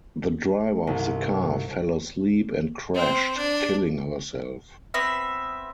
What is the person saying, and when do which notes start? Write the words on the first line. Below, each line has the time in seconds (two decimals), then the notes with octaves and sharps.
The driver of the car fell asleep and crashed, killing herself.
0.87 D#1 C2 G2
2.95 C4 C5
3.37 D4
4.94 B3 C4 E5